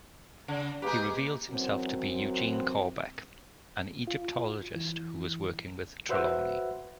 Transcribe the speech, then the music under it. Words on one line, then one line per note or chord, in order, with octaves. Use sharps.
He reveals himself to be Eugene Corbeck, an Egyptologist who was working with Trelawny.
C#3
G#3 A#3 G4 G#4 B4
F#2 E3 F#3 C4
F4
E3
F#4 B4 C5 E5 F#5